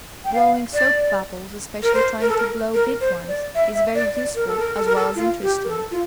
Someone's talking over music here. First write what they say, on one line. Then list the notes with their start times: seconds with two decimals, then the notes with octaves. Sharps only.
Blowing soap bubbles, especially trying to blow big ones, is very useful as well as interesting.
0.25 G5
0.33 F5
0.74 D5
1.83 A#4
1.94 C5
2.21 A#4
2.29 A4
2.38 A#4
2.74 A#4
3.01 C5
3.28 D5
3.55 E5
3.75 E5
3.95 D5
4.15 D5
4.35 A#4
4.47 A4
4.59 A#4
4.75 A4
4.85 A#4
4.96 A4
5.16 F4
5.42 G4
5.64 A#4
5.69 A4
5.91 F4